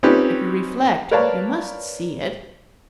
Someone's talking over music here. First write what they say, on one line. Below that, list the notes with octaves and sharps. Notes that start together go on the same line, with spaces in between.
If you reflect you must see it.
C4 C#4 D#4 F4 G4 B4
A#4 B4 C#5 D5 F5 A5